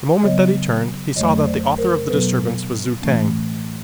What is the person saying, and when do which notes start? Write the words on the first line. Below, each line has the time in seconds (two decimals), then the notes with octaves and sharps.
The moment that he turned he saw that the author of the disturbance was Zu-tag.
0.23 C#3 F#3 B3 C#5 D#5
1.16 F2 D3 F#3 A3 C#5 D#5
1.46 C5 D5
1.78 A#4 C5
2.08 B2 F#3 B3 A4 B4
3.02 A2 E3 A3 C#4